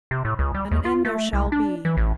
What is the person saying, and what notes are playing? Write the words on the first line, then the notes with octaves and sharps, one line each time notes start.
And an end there shall be.
C3
A2
C#2
G3
D#2
F4
A3
C2
D4
E3
A1